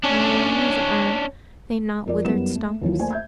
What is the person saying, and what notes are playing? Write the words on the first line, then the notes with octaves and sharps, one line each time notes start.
My wings, are they not withered stumps?
C#4 D4
F2 A#4 D5
F#2 G3 B3 E4 A#4 E7
A3
D#2 E3 F#3 F4
A3 A#3 C5 D5 G#5
E5 G6 G#6